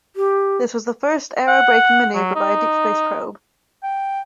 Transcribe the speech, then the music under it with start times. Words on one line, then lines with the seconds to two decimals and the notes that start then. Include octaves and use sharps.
This was the first aerobraking maneuver by a deep space probe.
0.16 G4
1.48 F#5
2.15 F#3
2.35 D#4
3.83 G5